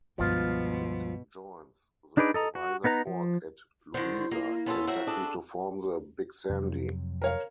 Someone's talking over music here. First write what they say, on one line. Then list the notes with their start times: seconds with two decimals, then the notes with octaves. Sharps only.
It joins the Levisa Fork at Louisa, Kentucky to form the Big Sandy.
0.18 C#2 G2 B2 F3 F4
2.17 D4 D#4 G#4 B4 D5
2.34 A4 D#5 A#5
2.55 F#4
2.84 B3 D#4 B4 A#5
3.07 F3
3.94 D3 D#3 E4 C5
4.31 A#3 F4
4.66 A#3 B3 C#4 F4 A4
4.87 F#3 C4 F#4 E5
5.07 D4 G#4 A4
6.49 F2 C3 F#3
7.22 A#4 C#5 F5